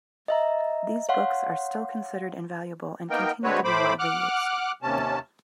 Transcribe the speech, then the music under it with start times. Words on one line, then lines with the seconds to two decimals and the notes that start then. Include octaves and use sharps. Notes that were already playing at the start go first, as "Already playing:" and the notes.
These books are still considered invaluable and continue to be widely used.
0.28 D#5 E5 A#5
1.09 C#5 F5 F#5 C6
3.10 A#3 B3 D#4 A#4 G5
3.44 D3 G#3 C4 F#4 B4 C#5
3.64 A2 A3 C5 B5 D6
3.99 F#5 D6 F6 F#6
4.82 D#2 C3 C#4 A5